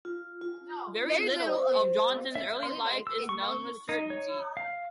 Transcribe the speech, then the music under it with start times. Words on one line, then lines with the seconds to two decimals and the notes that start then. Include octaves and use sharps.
Very little of Johnson's early life is known with certainty.
0.05 F4
0.42 F4
1.47 C5
2.35 E5
2.63 C6
3.07 E6
3.29 C#6
3.89 D#4
4.10 C#5
4.57 F5